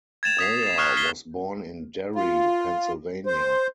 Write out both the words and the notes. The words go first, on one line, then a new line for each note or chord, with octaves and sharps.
Boyer was born in Derry, Pennsylvania.
G#6 A6 E7 F7
D#6 B6 C7
A6 C7
C#6 D#6 F6 F#6 G#6 C7
B6 C7 G7
F4
C5